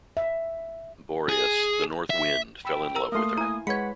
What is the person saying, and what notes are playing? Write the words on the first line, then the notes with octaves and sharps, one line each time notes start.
Boreas, the north wind, fell in love with her.
E5
G#4
E5
G5 B5 E6
A#4 A#5 E6
A3 A#3 F5 C6 D#6
E4 G#5 A#5
G#3 B4 C#5 F#5 B5 G#6 C#7